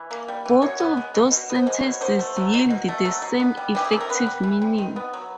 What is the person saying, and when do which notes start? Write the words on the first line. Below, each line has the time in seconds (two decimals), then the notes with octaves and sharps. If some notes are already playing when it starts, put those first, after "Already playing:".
Both of these sentences yield the same effective meaning.
Already playing: E3
0.11 A#3
0.28 G3
0.46 E3
0.62 B2 C#5
0.80 B3
0.97 G#3
1.14 B2
1.32 B2
1.50 B3
1.55 C5
1.67 G#3
1.79 B2 C#5
2.01 B2 C5
2.19 A3
2.36 F#3
2.54 B2
2.70 B2
2.88 A3
3.05 F#3
3.22 B2
3.40 B3
3.57 G3
3.75 E3 G4
3.84 G#4
3.93 C3 A4
4.00 A#4
4.09 B3 B4
4.27 G3
4.43 E3
4.62 C3
4.78 D#3
4.96 B3
5.13 F#3